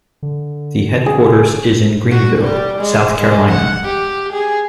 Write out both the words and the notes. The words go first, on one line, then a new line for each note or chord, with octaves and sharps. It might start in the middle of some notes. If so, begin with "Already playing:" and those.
The headquarters is in Greenville, South Carolina.
D3
G#4
F#4
G3
G#3
G#3
F#5
G4
G#4